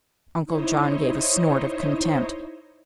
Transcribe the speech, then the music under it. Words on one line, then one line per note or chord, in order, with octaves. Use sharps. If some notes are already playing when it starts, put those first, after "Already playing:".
Uncle John gave a snort of contempt.
D#4 E4 C5 C#5 D#5